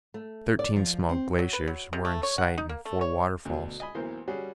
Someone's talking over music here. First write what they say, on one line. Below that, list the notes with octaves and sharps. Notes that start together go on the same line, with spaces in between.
Thirteen small glaciers were in sight and four waterfalls.
A3
D5
F3
C4
F#3
B4
F#3
C3
A3
C#5
F#5
D#4
A#3
A3
C#5
D2 B2
D#5 G#5 B5
B1 E3 A#3 C5
G3 C#4 F#4 G#4